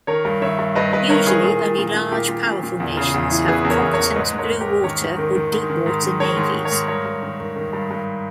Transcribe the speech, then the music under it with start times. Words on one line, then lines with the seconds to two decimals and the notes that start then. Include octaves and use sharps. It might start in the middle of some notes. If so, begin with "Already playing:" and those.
Usually, only large, powerful nations have competent blue water or deep water navies.
0.07 D#3 A#4 C#5
0.25 G2
0.42 D#3 C#5 E5
0.59 G2
0.75 G2 B4 D#5
0.93 G2 B4 D#5
1.09 D#3 A#4 C#5
1.27 D#3 G#4 B4
1.43 A#2 G#4
1.61 A#2
1.78 A#2
1.95 A#2
2.11 A#2 G4 A#4
2.29 A#2
2.46 A#2
2.63 A#2
2.80 E2
2.97 C#3
3.14 E2
3.31 E3
3.48 E2 G#4 B4
3.65 E2
3.70 A#4 C#5
3.82 E2
3.93 A#4 C#5
3.99 E2
4.16 G#2 B4 D#5
4.33 G#2
4.38 A#4 C#5
4.50 G#2
4.61 G4 A#4
4.67 G#2
4.84 D#3 A#4 C#5
5.01 G#2
5.18 D#3
5.35 D#3
5.52 G#2
5.70 D#3
5.86 G#2
6.03 D#3
6.20 D#3 A#4 C#5
6.37 G#2
6.54 G#2
6.65 A#4 C#5
6.72 G#2
6.88 G2 A#4 C#5
7.05 G2
7.23 D#3
7.40 D#3
7.56 D#3
7.73 G2
7.91 G2